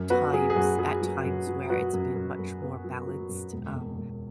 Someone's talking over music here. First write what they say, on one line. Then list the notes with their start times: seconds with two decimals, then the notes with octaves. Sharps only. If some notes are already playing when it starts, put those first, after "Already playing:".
times at times where it's been much more balanced, um,
Already playing: F#2
0.10 B3 F#4 B4
0.33 F#3 G#4
0.50 G#4
0.56 F#2 F#4
0.78 F#3 G#4
1.02 F#3
1.25 F#2
1.47 F#3
1.70 F#3 F#4 B4
1.93 F#2
2.15 F#2
2.39 F#2
2.62 B3
2.84 F#3
3.07 F#3
3.29 F#2
3.53 E1
3.75 E1
3.98 E1